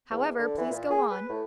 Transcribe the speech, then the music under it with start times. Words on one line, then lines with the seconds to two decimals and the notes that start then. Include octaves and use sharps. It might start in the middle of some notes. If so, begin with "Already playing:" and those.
"However, please go on."
0.11 E2
0.39 D3
0.58 E3
0.71 A#2
0.91 G#4
1.11 B4
1.29 A2